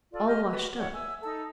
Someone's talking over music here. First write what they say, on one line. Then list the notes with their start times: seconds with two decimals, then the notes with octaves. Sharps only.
All washed-up!
0.12 F4 A4 D5
0.27 G4 D#5 F6 G6
0.50 F#4 B4
0.76 C#5 D5 F#5
0.93 E5 G#5 E6
1.22 D#4 A4 E6